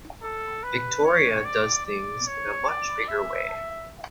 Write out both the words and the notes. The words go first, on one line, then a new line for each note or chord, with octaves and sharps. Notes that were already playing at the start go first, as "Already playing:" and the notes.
Victoria does things in a much bigger way.
A4
B4
C#5
D5
D5
C#5
D5
E5